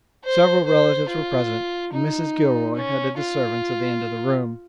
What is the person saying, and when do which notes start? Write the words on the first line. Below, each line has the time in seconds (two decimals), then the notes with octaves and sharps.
Several relatives were present, and Mrs. Gilroy headed the servants at the end of the room.
0.24 C5
0.66 C5
1.09 F4
1.92 D#4
2.75 C#4
3.17 F4